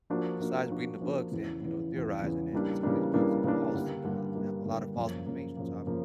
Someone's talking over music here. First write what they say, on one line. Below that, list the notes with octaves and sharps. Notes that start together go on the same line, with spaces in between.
besides reading the books and, you know, theorizing, and some of these books are false, you know, have a lot of false information, so I w
F3 A#3 D4 F#4
F3 A#3 D4 F#4
F3 A#3 D4 F#4
F3 A#3 D4 F#4
E2 C#3 E3
E2 C#3 E3
E2 C#3 E3
E2 C#3 E3
C#3 E3 G3 A#3 D4
C#3 E3 G3 A#3 D4
C#3 E3 G3 A#3 D4
C#3 E3 G3 A#3 D4
G2 D3 G3 A#3
G2 D3 G3 A#3
G2 D3 G3 A#3
G2 D3 G3 A#3
F#2 C#3 F3 A#3
F#2 C#3 F3 A#3
F#2 C#3 F3 A#3
C#3 F3 A#3